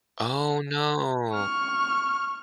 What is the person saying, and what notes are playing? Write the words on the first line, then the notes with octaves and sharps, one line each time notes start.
Oh, no.
C#6 F6